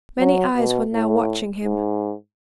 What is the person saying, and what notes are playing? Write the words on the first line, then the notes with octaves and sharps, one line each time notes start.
Many eyes were now watching him.
F#3
B2
A2
G#2